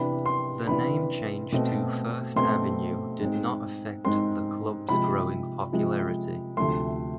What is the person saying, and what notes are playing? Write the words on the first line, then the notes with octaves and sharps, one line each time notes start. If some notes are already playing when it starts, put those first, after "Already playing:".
The name change to First Avenue did not affect the club's growing popularity.
Already playing: C3 E3 B3 D4 B5
C6
C3 E3 B3 D4 B5
B2 A3 C4
B2 A3 C4 C6
G#2 G#3 C4
G#2 G#3 C4 C6
C3 F3 G#3 B5
C3 F3 G#3
D2 C3 F3 A3 C6